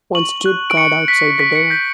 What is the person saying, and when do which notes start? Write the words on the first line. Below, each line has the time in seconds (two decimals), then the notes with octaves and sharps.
One stood guard outside the door.
0.15 C#6 F#7
0.46 F#6
0.70 D7
0.77 C#6 C#7
1.08 F#6 B6
1.39 C#6 B6
1.55 C#7
1.70 G6 B6